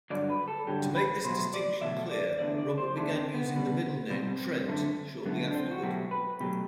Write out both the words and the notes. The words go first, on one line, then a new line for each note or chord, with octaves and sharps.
To make this distinction clear, Robert began using the middle name "Trent" shortly afterward.
G2 D3 F#3 D5
B4
A4
G2 D3 F#3 G4
B4
B2 F#3 A3 C5
D5
B2 F#3 A3 E5
D5
E2 D3 A3 D5
D5
C5
E2 D3 A3 D4
C4
B3
B2 G3
B2 G3 C4
F#2 D3 A3
F#2 D3 A3 B3
D4
C4
F#4
B2 F#3 A3 G4
B4
B2 F#3 A3 G4